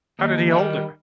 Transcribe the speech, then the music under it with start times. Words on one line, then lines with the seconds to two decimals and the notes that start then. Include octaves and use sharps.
How did he hold it?
0.19 D#2 D#4
0.51 D#3 G3